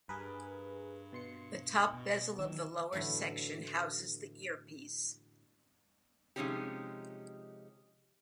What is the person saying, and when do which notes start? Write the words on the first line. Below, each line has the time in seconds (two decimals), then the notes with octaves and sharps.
The top bezel of the lower section houses the earpiece.
0.09 G2 G#4 A#4 B4
1.13 B2 C6 C#7
1.93 B2
2.39 D#3 E3 F#3 E6
2.92 A2 D3 E3 F#3 A3
6.36 C3 F3 G#3 C#4 D#4 G4